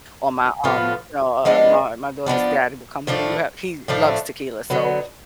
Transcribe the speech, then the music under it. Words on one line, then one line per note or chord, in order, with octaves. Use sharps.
Or my, um, uh, um, my my daughter's daddy will come over. "You have" he loves tequila. So
A2 F3 B3 F4
F3 G#3 B3 D4
F3 G#3 B3 D4
A2 F3 A3 D4
A2 F3 A3 D4
D3 F#3 B3